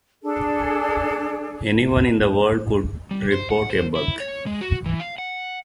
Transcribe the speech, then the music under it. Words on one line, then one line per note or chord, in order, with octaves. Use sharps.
Anyone in the world could report a bug.
D4 G#4 A4
G3
C5
F#5
C5
E4
C#5
G#3
F#4
E3
F5
F#5